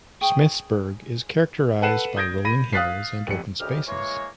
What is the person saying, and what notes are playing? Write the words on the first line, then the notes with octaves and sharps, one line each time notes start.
Smithsburg is characterized by rolling hills and open space.
G#4 G5 C#6 D#6
A4 B4 F#5 C7 E7
D#6 G6 G#6 A#6 D7
B5 A#6 D#7
F5 D#6 F#6 A6 B6 C7
F1 C#7
D2 C#3 G4 D#5 F6
E3 G#3 A#3 C#5